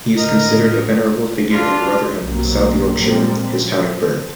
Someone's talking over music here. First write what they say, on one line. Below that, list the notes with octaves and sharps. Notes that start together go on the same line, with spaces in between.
He is considered a venerable figure in Rotherham, South Yorkshire, his town of birth.
A2 D3 A#4 D#5 A#5
D4 F4
B1 G2 C3 F#3 A#3
A#2 F3 G3 G#3 A#3 C4
F3